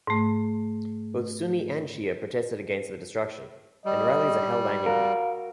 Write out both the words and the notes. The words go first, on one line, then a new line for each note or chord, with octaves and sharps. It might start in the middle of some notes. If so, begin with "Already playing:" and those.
Both Sunni and Shia protested against the destruction and rallies are held annually.
G#2 A3
G3 D#5
F#4 A#4 F5